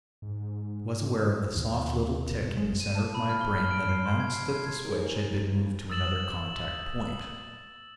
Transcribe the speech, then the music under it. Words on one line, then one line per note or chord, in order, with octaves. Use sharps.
I was aware of the soft little tick in the center of my brain that announced that the switch had been moved to another contact point.
G#2
D#2 B2
G#1 G#3
D#7
A5
B5
F6
G7
F6
D7
C7
C6
G#6
C7
G#6
D#2 A#3 G#4 A#4
D#6 E6 A6 E7 F#7